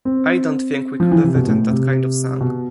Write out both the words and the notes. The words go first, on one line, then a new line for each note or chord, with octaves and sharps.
I don't think we could have written that kind of song.
C4
F3
E3
C3
B2
A2
C3
B2